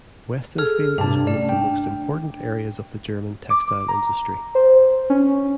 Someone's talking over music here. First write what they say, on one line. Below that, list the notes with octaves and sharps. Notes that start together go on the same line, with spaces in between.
Westenfeld is one of the most important areas of the German textile industry.
G#4 A4 F6
G2 C3 D4 A5
A3 C#4 D5
D4 G5
D6
A#5
C5
C#4